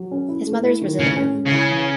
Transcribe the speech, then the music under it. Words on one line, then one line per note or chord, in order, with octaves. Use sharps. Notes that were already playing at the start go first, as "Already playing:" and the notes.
His mother is Brazilian.
Already playing: F#3
C#4
E4
A3
E4
D#3
A2 C#3
C#4
G#3
C#3
E4
E3